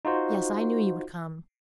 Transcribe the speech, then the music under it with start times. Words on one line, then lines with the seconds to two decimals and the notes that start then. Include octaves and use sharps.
Yes, I knew you would come.
0.05 D#4 F4 F#4 C5